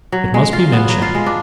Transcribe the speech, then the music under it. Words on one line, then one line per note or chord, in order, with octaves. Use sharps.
'It must be mentioned.
F#3
G#3
F4
B3
F#3
F4
G#3
D4